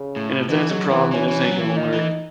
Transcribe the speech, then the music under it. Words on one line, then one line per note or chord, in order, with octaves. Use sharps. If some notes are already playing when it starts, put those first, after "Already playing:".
and if that's a problem, then this ain't gonna work.
Already playing: C#3
A2
B2 E3
F#3 G#3
E3 B3
E3 C#4
E3
F#3
E3
C#4
D#3 D#4
E3